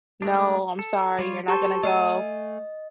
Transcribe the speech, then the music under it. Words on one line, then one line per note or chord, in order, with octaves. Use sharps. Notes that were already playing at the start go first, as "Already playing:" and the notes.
No, I'm sorry you're not gonna go."
G#3 A3 D4
A4
G3 F4 C#5
G4 A4 C5 A5 C#6
A3 D#5 F5 G#5